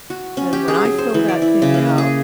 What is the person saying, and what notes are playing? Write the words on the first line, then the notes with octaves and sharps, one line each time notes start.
and when I filled that thing out
F#4
C#4
G4
G#4
F#3
C5
E3
D5
E4
C#3
A#3
G#4